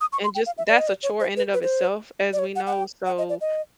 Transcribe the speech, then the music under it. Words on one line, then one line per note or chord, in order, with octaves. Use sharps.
and just that's a chore in and of itself as we know, so,
D#6
C#6
C6
G5
F5
E5
D5
D#5
D5
C#5
C5
B4
B4
C5
D5
C#5
F#5
F#5
G5
F#5
D#5
D5
D#5